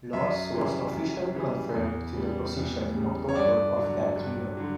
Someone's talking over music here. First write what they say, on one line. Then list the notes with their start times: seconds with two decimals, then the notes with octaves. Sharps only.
Laws was officially confirmed to the position in October of that year.
0.13 F#2 E5
0.54 C#3 E3 G3
0.93 F#2
1.35 C#3 E3 G3
1.75 E2
2.14 C#3 G3
2.55 E2
2.96 C#3 G3
3.29 C#5
3.36 G2 D5
3.77 D3 F#3
4.16 G2
4.57 D3 F#3